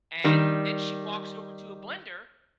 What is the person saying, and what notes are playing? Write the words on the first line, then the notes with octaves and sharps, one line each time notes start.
And then she walks over to a blender
D#3 G3